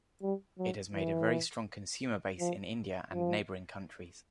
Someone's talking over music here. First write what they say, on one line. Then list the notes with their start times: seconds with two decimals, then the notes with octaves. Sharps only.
It has made a very strong consumer base in India and neighboring countries.
0.22 G3
0.58 F#3
0.94 E3
2.40 F3
3.13 F3